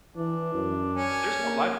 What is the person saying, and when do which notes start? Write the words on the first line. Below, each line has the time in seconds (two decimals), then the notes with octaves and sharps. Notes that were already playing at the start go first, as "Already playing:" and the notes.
there's no lifeguard.
0.16 E3 D4
0.54 F#2
0.94 C#4
1.40 A#3